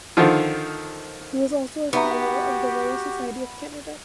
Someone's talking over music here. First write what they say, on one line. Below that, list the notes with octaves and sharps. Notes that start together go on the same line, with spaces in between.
He was also a Fellow of the Royal Society of Canada.
D3 D#3 F3 F4
B3 D#4 F#4 G4 E5 A#5